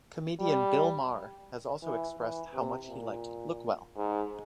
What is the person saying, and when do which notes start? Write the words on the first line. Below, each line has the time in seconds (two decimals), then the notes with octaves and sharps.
Comedian Bill Maher has also expressed how much he liked "Lookwell".
0.40 G3
1.82 E3
2.18 E3
2.53 C3
2.89 A#2
3.97 G#2